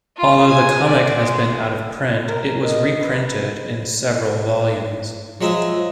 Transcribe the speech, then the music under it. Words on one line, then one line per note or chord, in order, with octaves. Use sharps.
Although the comic has been out of print, it was reprinted in several volumes.
F4
G#5
D5
G#3
A#4
D#5
B4
F3 F#3 G#3 E5